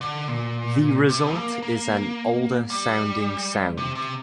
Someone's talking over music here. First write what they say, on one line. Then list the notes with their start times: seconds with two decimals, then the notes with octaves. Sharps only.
The result is an older sounding sound.
0.01 D3
0.28 A#2
1.09 C3
1.36 A#3
1.62 A#3
2.70 G3
3.77 C3
3.95 C3